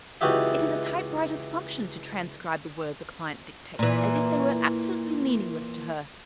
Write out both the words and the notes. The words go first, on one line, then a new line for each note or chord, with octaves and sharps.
It is a typewriter's function to transcribe the words a client dictates as if they were absolutely meaningless to her.'
C#2 E3 D#4 F#4 G4 E5
A#2 E3